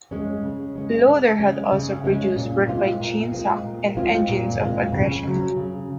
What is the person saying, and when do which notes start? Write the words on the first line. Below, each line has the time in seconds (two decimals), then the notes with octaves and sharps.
Lowder had also produced work by Chainsuck and Engines of Aggression.
0.11 G#3 C#4
0.43 C#3
0.76 G#3 C#4
1.08 C#3
1.40 G#3 C#4
1.72 C#3
2.04 G#3 C#4
2.36 A#2
2.68 G#3 C4 F4
3.00 A#2
3.32 G#3 C4 F4
3.63 A#2
3.95 G#3 C4 F4
4.28 A#2
4.60 G#3 C4 F4
4.92 C#3
5.24 F#3 C#4
5.56 C#3